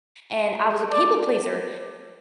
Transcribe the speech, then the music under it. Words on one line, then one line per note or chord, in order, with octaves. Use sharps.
and I was a people pleaser,
D5